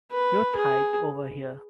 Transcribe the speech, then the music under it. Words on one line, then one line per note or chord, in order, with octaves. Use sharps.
Your thigh's over here.
B4
G#4